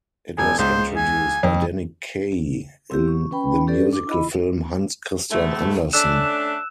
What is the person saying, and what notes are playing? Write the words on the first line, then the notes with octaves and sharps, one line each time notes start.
It was introduced by Danny Kaye in the musical film "Hans Christian Andersen".
E1 G#5
C#2 C5
G#5
F2
C4 E4 G4
C#6
C#4 B4 G5 B5
C#4 G4 A4 B4 D5
D4 D6
E4 D#5 B5
G#2 B2 A3
A3 C#4 D4 E6 F#6 E7